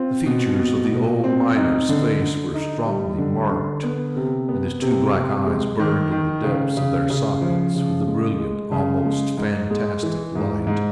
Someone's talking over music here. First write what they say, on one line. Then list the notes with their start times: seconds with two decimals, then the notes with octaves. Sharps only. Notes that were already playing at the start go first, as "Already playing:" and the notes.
The features of the old miner's face were strongly marked, and his two black eyes burned in the depths of their sockets with a brilliant, almost fantastic light.
Already playing: C4 F4
0.26 B2
0.59 B2
0.92 B2
1.24 C4
1.56 D#4
1.89 D3
2.21 D3
2.54 D#4
2.86 G3
3.18 D3
3.51 D3
3.83 B3
4.16 C3
4.48 B3
4.82 C3
5.15 C3
5.46 G#3
5.80 D#3
6.11 D#3
6.44 C#3
6.77 C#3
7.10 C#3
7.41 F3
7.75 C#3
8.08 G#3
8.39 G#3
8.72 C#3
9.05 G#3
9.37 G#2
9.70 G#3
10.03 E3
10.35 G#2
10.67 G#2